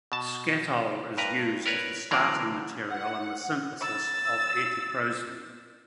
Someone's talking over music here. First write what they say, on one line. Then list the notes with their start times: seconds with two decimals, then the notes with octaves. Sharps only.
Skatole is used as the starting material in the synthesis of atiprosin.
0.12 B2 A5
1.18 G2 A#4 B4 A#5
1.66 A#4 B4 C#5 D5
2.11 D3 E3 F#3 A#3 A#4 D5
2.91 F#5
3.81 E6 A6